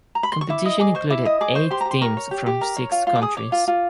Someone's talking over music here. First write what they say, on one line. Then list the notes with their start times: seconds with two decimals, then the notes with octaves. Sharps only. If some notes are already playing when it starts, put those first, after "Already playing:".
Competition included eight teams from six countries.
0.15 A#5
0.23 B5
0.32 C6
0.41 C#6
0.50 E4 D6
0.65 D#5 D#6
0.80 G#4 D6
0.95 C5 C#6
1.10 E4 D6
1.25 D#5 D#6
1.41 G#4 D6
1.55 C5 C#6
1.71 G4 C6
1.81 A#5
1.85 G4
1.91 C6
2.01 A#4 C#6
2.17 C#5
2.31 G4
2.46 G4
2.61 A#4
2.77 C#5
2.92 F4
3.07 F4
3.15 D6
3.22 G#4 D#6
3.37 C#5 D6
3.52 F4
3.68 F4